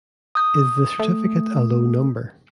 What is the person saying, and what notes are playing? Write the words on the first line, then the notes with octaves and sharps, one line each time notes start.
Is the certificate a low number?
D#6 G6
A3